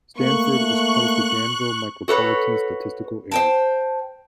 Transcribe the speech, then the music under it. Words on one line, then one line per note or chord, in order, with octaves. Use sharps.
Stanford is part of the Danville Micropolitan Statistical Area.
A3 A#3 C#6 F#6
F#4 A4 B4 C#5
C5 G5 A5